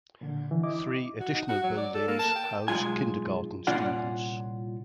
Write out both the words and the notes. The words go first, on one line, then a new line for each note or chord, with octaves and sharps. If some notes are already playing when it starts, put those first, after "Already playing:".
Three additional buildings house kindergarten students.
A#2 D3
D3 E3
E4 D#5 D6
F#4
D#4
F#4
F#3
D5
A4
A#3
A5
G5
B1 F3 G#3 F4 G#5
C2 A#2 C#4 F4 D5 F#5